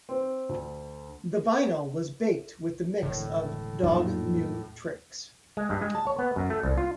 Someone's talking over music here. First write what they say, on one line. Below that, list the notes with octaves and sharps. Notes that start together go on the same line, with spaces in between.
The vinyl was backed with the mix of "Dog New Tricks".
C4
D2
E1 A2 D3
F2 A#2 F#3 D4 D#4 F4
G#3
G2
G#3
A5
C#5
B3
F#2
A3
C2
F4